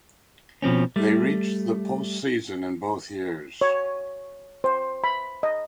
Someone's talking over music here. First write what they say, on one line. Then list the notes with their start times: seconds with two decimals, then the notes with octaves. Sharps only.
They reached the postseason in both years.
0.62 B2 F3 C4 C#4
0.96 G3 A3
3.61 C#5
4.64 C5
5.04 B5
5.43 D#5